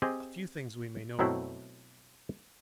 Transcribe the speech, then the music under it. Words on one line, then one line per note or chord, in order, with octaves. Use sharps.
A few things we may know, however.
C4 G4 G#4 D#5
B2 F#3 A3 C4 E4